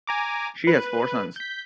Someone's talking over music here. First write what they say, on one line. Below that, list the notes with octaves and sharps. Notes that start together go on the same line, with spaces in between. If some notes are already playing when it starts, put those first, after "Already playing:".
She has four sons.
G#5 A#5 D6
B4
G6 B6